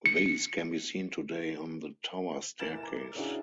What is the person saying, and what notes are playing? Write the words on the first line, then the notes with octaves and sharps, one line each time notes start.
These can be seen today on the tower staircase.
C#7
F1 E3 A#4 A6 E7
A#5 D6
C#3 C#4 D4 E4 F#4 G#4